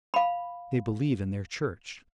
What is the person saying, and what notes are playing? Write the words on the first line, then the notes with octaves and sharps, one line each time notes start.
They believe in their church.
F5 B5